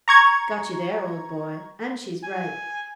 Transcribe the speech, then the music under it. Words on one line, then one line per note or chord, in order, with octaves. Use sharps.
'Got you there, old boy, and she's right.
A#5 C#6 G#6
G#5